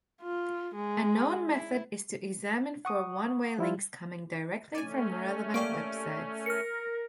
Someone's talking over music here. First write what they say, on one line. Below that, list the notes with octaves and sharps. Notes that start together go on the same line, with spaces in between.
A known method is to examine for one-way links coming directly from relevant websites.
F4
G#3
E4
F#5 C#6 D#6
F3 E4 F4
A3 C#4 D5 G#5
A#3 G4 D5 C#6 D7
A#4 F6 C#7